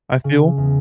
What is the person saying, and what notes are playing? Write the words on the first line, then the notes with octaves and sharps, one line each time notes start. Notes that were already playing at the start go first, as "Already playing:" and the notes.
I feel.
C#3
E2